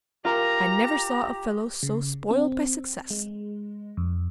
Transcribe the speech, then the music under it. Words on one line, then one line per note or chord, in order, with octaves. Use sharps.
'I never saw a fellow so spoiled by success.
F4 G4 A#4 A#5
C#3
C4
G#3
F2